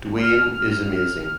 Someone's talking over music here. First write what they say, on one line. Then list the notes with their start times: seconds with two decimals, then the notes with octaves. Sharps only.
Dwayne is amazing.
0.20 F6